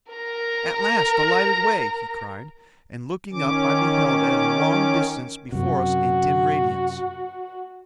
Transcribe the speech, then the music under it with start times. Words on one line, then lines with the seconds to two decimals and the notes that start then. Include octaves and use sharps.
"At last, the lighted way," he cried, and looking up I beheld at a long distance before us a dim radiance.
0.12 A#4 A#5
3.33 D#3 C#4 D6
5.52 F#2 C3 F#4